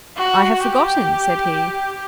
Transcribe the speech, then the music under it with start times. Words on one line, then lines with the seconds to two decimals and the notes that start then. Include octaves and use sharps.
"I have forgotten," said he.
0.16 F#4
0.62 G4